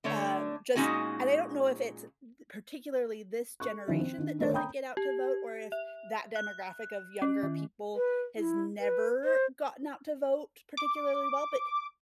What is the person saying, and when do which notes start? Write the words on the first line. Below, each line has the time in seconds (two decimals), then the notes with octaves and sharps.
u um, just and I don't know if it's b particularly this generation that doesn't get out to vote or if, that demographic of younger people has never gotten out to vote particularly well, but
0.04 D3 A3 D4 C#5
0.76 A#2 G#3 C#4 D#4 F#4 G#5
3.60 A4 C#6 F#6
3.88 D#3 F3 C#4 E4
4.00 C4
4.18 D#3 D4
4.39 D3 D#3 A3 A#4 C5 C#5
4.54 G5 A#5 B5 D#6 G6
4.97 G4
5.72 E5
6.36 F#6
7.22 C#4
7.43 D#3
7.96 B4
8.37 E4
8.80 B4
9.24 C5
10.77 D6